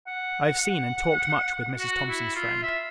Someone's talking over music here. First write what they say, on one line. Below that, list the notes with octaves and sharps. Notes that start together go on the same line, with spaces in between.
I have seen, and talked much with, Mrs. Thomson's friend.
F#5
F#5
F#4
E4
F4
E5